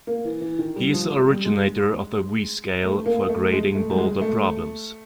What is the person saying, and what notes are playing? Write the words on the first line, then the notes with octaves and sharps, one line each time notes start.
He is the originator of the V-scale for grading boulder problems.
A#3
E3
E3
D#3
G3
F3
G#3
G3
G#3
A3
A#3
A#3
A3
G#3
A3
G3
G#3
A3